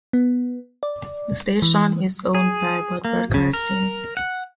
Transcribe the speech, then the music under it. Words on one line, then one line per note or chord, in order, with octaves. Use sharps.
The station is owned by Budd Broadcasting.
B3
D5
E3
G#4
A#3
C#3
A#4
F#5